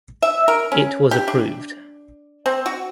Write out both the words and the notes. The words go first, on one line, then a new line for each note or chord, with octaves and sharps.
It was approved.
E5
A#4
C#4
G4
D4
C4
F#4